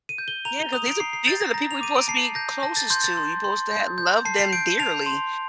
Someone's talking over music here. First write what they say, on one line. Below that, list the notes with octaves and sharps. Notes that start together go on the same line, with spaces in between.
Yeah, 'cause these are these are the people we're 'posed to be closest to, you're 'posed to have loved them dearly.
D#7
G6
G7
A#5 F7
G7
D#6 F7
D7
A#5 C7
C7
G6 A6
A#6
A#5 A#6
F7
D6 D#7
D7
A5 C7
G6 A#6
A5 A#6
A6
C6 G6
A6
C6
C6
G6
G6
A5 C7
C7
G6 D7
A5 F7
C6